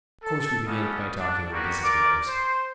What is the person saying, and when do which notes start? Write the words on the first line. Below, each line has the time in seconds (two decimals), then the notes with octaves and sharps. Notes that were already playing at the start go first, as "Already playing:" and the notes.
Of course, we began by talking on business matters.
0.23 A4
0.66 G3 B3 C#4 A4 D#5 F5
1.18 D4
1.52 G3 A#3 B3 F#4
1.83 A#4 D5 D6
2.27 C5